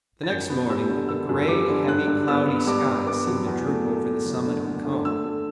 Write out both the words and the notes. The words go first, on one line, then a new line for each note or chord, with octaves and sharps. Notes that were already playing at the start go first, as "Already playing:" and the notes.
The next morning, a grey, heavy, cloudy sky seemed to droop over the summit of the cone.
A6
F#2 G6
B3
G3 E6
D3
D3 E6
F#2
E6
G3 D6
D3
G2 F#6
G2
B3 E6
B3
G2 D6
G2
B3 D6
F#3
E2
A3
A3
A3
F#1
D3
D3
D3
A3 E6
A3